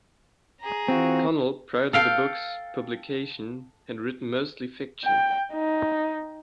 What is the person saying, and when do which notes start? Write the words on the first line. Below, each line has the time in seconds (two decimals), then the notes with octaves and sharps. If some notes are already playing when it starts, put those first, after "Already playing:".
Connell prior to the book's publication had written mostly fiction.
0.60 G#4 A#5
0.88 E3 C4 F4 F#4
1.93 A4 F5 G5
5.05 G5
5.53 D#4